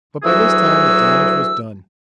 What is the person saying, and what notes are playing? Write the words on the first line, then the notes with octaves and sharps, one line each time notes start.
But by this time the damage was done.
D2 E3 F#3 F#4 G#4 E6